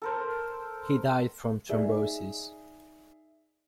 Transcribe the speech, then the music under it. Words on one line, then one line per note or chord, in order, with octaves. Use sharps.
He died from thrombosis.
A4 A#4 C5
D#4 G#4 D5 E5